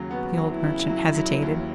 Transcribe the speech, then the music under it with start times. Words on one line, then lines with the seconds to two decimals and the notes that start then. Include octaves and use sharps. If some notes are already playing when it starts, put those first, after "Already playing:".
The old merchant hesitated.
Already playing: D#2 C#3 F#3
0.11 B3 F#4
0.37 F#3
0.50 E4
0.63 C#3
0.89 F#3
1.15 F#3
1.42 D#2